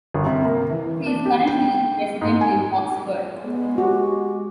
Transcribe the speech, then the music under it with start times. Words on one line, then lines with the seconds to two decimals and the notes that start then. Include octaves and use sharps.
He is currently resident in Oxford.
0.14 G1
0.26 C3
0.45 A#3
0.70 E3
1.06 D4
1.26 G4
1.47 G5
2.21 G#2
2.41 G#5
3.45 G#3 B3
3.78 F#4 G4